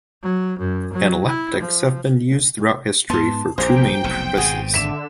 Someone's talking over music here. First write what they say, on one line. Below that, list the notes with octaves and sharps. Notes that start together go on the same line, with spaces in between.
Analeptics have been used throughout history for two main purposes.
F#3
F#2
F#3
E4
F3
G#2 B3 A5 C6
A#1 G#4 C5 G5 A#5 D6
F1 B1 B2
G#1 G#2 B2 G#4 F#5
D3 E5 D6 B6 E7